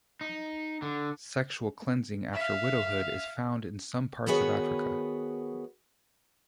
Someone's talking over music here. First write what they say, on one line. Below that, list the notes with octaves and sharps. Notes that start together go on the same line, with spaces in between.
Sexual cleansing after widowhood is found in some parts of Africa.
D#4
D3
E5 F5
D#3 B3 F#4 G#4 B4 C#5